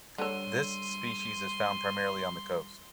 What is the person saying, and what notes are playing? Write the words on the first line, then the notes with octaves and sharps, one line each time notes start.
This species is found primarily on the coast.
D3 G3 C#5 C6 E6 D#7